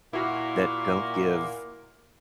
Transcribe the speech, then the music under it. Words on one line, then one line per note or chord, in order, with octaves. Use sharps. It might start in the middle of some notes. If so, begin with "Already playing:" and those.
that don't give
A#2 A#3 E4 F#4